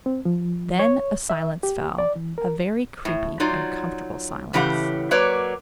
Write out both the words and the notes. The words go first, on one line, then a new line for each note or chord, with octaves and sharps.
Then a silence fell . . . a very creepy, uncomfortable silence.
C4
F3
C#5
E5
G4
D5
E3
A#4
A2
F#3 D#4 F4 D5
A2 C#3 E3 G4 B4 F#5
F#3 A#3 B4 C#5 D5